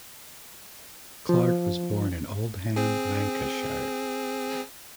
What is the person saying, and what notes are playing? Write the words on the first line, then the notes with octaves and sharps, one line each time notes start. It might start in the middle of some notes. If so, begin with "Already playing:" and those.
Clarke was born in Oldham, Lancashire.
F3
C4 G#4